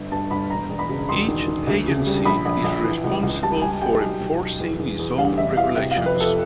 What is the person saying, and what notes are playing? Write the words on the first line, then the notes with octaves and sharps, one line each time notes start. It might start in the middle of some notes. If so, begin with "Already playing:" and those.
Each agency is responsible for enforcing its own regulations.
Already playing: G1
G2 A5
G1 B5
E1 A#5
E1
B5
C#3
E1 C6
D#3
D#3
D2
C#3
G3
A#1 B5
A#1
A#1
E3
C#2
C#2
G3 A5
G3 G#5
G3 G5
B1
B1
B1
E2
E2
E2
G3 F5
A1 E5
E3 F5
C3 E5
F5
F2
B4
F3 A4